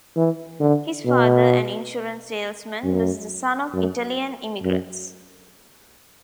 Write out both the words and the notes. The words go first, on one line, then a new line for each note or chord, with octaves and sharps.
His father, an insurance salesman, was the son of Italian immigrants.
E3
D3
B2
F#2
F#2
F#2